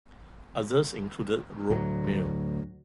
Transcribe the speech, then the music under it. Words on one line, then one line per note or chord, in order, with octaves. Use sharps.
Others included "Rogue Male".
D2 A2 F#3